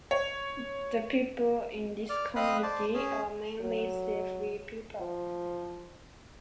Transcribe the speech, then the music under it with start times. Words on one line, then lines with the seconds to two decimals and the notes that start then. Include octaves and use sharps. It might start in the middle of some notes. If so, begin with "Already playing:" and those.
The people in this community are mainly Sefwi people.
0.11 C#5
2.09 D5 F6
2.36 C4 D#5 F5 B5 D#6 F#6
2.63 C5 D5 A5
2.94 C#4 G#4
3.61 F#3
5.00 F3